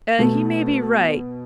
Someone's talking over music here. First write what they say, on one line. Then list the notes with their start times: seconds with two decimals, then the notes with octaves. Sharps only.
He may be right.
0.19 B2 A3